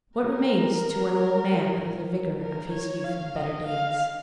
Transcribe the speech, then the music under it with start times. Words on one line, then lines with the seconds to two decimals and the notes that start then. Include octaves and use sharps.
What remains to an old man of the vigour of his youth and better days?
0.20 A#4
2.41 A#4
2.73 C#5
3.04 F5
3.36 D#5
3.67 F5